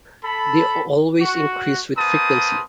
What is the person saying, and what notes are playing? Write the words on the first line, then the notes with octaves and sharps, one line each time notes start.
They always increase with frequency.
A4 B5
F#4
A#3 C4 B4 C5 A5 D#6